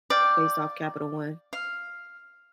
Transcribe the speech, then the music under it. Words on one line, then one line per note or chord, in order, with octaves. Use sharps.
based off Capital One
D5 F5 G5
F5